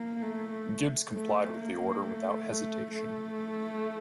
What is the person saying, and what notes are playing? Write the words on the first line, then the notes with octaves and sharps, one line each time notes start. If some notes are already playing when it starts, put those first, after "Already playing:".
Gibbs complied with the order without hesitation.
Already playing: A#3
A3
A3
A#3
A3
A3